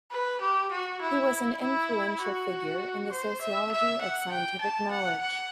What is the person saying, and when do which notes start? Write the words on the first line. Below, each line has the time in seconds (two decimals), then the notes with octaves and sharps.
He was an influential figure in the sociology of scientific knowledge.
0.11 B4
0.41 G4
0.71 F#4
1.01 E4
1.61 E4
2.21 F#4
3.11 C5
3.41 E5
3.71 E5
4.01 F#5
4.31 G5
4.61 A5
4.91 F#5
5.21 F#5